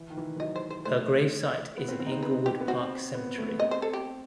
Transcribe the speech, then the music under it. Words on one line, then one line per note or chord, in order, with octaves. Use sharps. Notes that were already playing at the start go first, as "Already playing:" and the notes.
Her gravesite is in Inglewood Park Cemetery.
Already playing: E3
D#3
E3
E3
F#3 D#5
C5
C5
A3 C5
B3
C4
C4
D#4
C4
B4
G4
B3
C4 F#4
B3
A3
B3
C4 D#5
C5
A4
G4